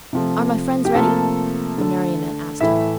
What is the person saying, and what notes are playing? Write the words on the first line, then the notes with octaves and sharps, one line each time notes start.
"Are my friends ready?" the Marionette asked him.
C3 F3 A3
G4
C3 F3 A3 A#3 A4
D3 A3
A2 E3 A3 E4 E5